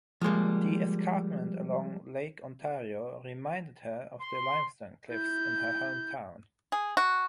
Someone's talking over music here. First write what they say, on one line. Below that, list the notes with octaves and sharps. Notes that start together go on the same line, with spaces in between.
The escarpment along Lake Ontario reminded her of the limestone cliffs in her hometown.
F3 G3 G#3 A#3
C6
E4 G6
G#4
F#4